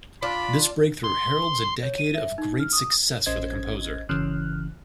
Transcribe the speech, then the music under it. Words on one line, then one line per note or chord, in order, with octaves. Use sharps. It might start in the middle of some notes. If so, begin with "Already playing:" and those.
This breakthrough heralds a decade of great success for the composer.
D4 F4 B5
C6
C#5
D#7
E5
D#4
F6
D#6
A1 C#4 C5 D#5 G#6
G1 C#3 E3 C#4 F6 F#6